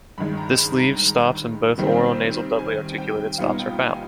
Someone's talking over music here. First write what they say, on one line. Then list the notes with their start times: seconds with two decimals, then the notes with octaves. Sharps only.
This leaves stops, and both oral and nasal doubly articulated stops are found.
0.18 G2 D#3 G#3 B5
0.37 A#5
0.58 B5
0.78 A#5
1.78 C3 D#3 G3 C4
2.59 G#5
2.98 G5
3.38 A#2 G3 B3 D#4 F5
3.59 G5
3.79 G#5